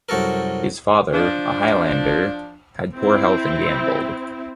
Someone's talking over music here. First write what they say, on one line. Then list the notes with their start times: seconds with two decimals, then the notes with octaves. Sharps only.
His father, a Highlander, had poor health and gambled.
0.09 C2 F#2 F#4 A4 A#4
1.13 F3 D4
2.98 C4 E4